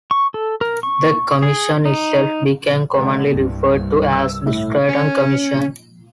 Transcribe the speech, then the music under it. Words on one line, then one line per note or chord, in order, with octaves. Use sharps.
The commission itself became commonly referred to as the Stratton Commission.
C#6
A4
A#4
C#6
G#4
D#4
D3 G#3
C2 G2
E6
A2
C#4